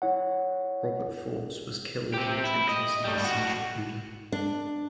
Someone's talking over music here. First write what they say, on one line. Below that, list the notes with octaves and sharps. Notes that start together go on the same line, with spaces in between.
Robert Forbes was killed in the trenches in the Siege of Buda.
E4 C#5 F#5
C4 G4
E4
D#5
G3 A3
A2 F#4
D4